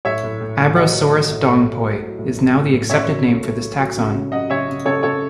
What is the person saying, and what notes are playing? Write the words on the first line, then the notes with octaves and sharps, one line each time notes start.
"Abrosaurus dongpoi" is now the accepted name for this taxon.
A2 C#5 E5
A2
A2
A2
F#3 D#5 F#5
A2
A3
A2
A3
F#3
A3
F#3
A2
A3
A2
A2
C#3 C#5 E5
F#3
A3
A3
A3
F#3
C#3
C#3
C#3 D#5 F#5
C#3 C#5 E5
C#3
C#3 A4 C#5
C#3 A4 C#5